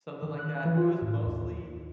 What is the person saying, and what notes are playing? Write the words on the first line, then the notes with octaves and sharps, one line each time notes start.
something like that, it was mostly
D#3
F#6
E3
F4
A2
D#2